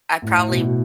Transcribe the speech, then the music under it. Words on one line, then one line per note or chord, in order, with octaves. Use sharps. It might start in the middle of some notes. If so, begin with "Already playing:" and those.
I probably
A2
B2